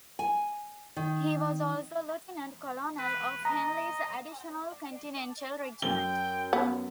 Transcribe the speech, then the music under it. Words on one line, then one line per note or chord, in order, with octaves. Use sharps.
He was also Lieutenant-Colonel of Henley's Additional Continental Regiment.
G#5
D#3
B4
D#5 A#5
F#2 G5 G7
B3